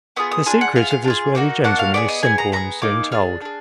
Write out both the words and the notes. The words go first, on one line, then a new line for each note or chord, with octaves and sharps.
The secret of this worthy gentleman is simple and soon told.
B3 F4 G#4 D#6
D#6
D4 F4 G#4 G#5
F#5
B3 F4 G#4 F5
F5
D4
F4 G#4
A#3 D#4 F#4
A#3 D4 F#4 F#5
F5
B3 F4 G#4 D5
D#5
B3 D#4 G#4 G#5
A#5
B3 D#4 G#4 A#5
A#3 D#4 G#4 D6
D4 G#4 F6
D4 G#4